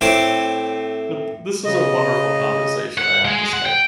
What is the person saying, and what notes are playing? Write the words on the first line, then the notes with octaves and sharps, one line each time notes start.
But, this is a wonderful conversation, I have to say.
A2 C4 C5 C#5 C6 D6
C#3 D#5
F#5
G#3
F#5
G5